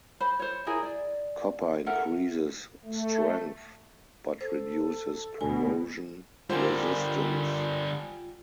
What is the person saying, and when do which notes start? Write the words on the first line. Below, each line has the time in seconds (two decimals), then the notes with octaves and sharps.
Copper increases strength, but reduces corrosion resistance.
0.20 C5 B5
0.39 C5 C#5
0.66 E4 G#4 A#4 G#5
0.83 D5
1.86 A4 A#4 E5 F#5
2.84 A3
4.41 A4 C5
5.41 D2 B2 G#5
6.50 D3 G3 F4 A#4 C5 G5 G#5